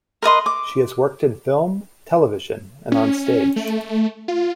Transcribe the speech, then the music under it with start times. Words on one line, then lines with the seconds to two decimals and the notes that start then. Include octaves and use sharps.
She has worked in film, television and on stage.
0.22 A#4 B4 D#5 C6
0.46 D6
2.92 C#4
3.56 A3
4.28 F4